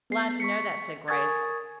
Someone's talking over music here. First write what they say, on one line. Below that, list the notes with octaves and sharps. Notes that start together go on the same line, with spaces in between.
"Glad to know that," said Grace.
B3 C7
C#6 B6 C#7
A#4 G#5 C#6 D#6 G#6 A6